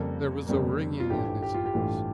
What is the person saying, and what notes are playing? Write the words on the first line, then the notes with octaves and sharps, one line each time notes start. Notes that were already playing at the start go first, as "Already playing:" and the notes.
There was a ringing in his ears.
Already playing: F2 C#3 G3 A#3 A4
F2 C#3 G3 A#3
F4
A1 G2 E3 A3 G4
G4
F4
G4
A1 G2 E3 A3